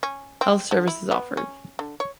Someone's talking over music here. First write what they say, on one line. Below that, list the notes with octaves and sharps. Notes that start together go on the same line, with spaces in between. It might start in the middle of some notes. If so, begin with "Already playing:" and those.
Health service is offered.
C#4
C4
D3
E4
B3
C#4
D3
C#5